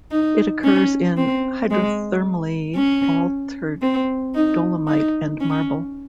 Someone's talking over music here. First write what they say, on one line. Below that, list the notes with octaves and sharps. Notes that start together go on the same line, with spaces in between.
It occurs in hydrothermally altered dolomite and marble.
D#4
C#4
C4
G#3
C#4
C4
D#4
D#4
C#4